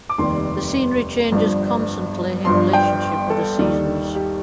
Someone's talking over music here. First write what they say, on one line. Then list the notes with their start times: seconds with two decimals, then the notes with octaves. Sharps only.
The scenery changes constantly in relationship with the seasons.
0.09 D6
0.18 F1 D#2 D#3 G3 C6
1.32 G1 G2 F3
2.45 G1 G2 F3 C6
2.73 G5
3.30 A4
3.58 D#2 D#3 G3
4.15 G4